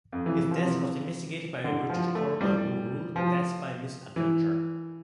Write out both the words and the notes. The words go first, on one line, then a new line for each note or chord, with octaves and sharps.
His death was investigated by a British coroner who ruled 'death by misadventure'.
F2
E3
E3
F3
C3
D3
F3
A3
G3
F3
E3